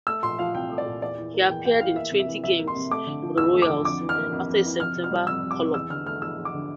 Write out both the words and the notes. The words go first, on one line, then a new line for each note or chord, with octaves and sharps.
He appeared in twenty games for the Royals after a September call-up.
A3 E6
A#2 C6
F3 F5
C2 G5
A3
D5
A#2
E2 D5
E3
A#3
E2 G5
E2 G5
E3 F5
A#3 E5
C3
E5
E3
C2 E5
A#3
C6
C3
A3 D6
D3
F3
E2 E6
A3
D6
D3
F2 D6
E3
F6
A#3
F2
F2
E3
F2 F6
C3
F6
G3
F2 E6
F2
D6
C3
E2 E6
D3 F6
A3 F6
E2 E6
E2
D6
D3